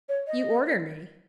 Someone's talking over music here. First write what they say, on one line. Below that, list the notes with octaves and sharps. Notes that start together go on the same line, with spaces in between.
"You order me?"
C#5
D#5